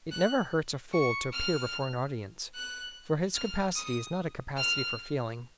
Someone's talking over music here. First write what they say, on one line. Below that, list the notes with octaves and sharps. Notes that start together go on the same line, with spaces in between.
It never hurts a fool to appear before an audience, for his capacity is not a capacity for feeling.
F#6
C#6
F6
F#6
F6
D#6
F6